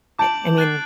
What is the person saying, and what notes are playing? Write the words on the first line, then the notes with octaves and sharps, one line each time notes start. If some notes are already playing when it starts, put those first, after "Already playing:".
I I mean,
A5 D6 G6 D7 F#7
F#6 A6 C7